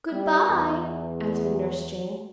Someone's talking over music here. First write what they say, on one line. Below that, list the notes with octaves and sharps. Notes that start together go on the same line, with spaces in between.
"Good-bye!" answered Nurse Jane.
G3
E2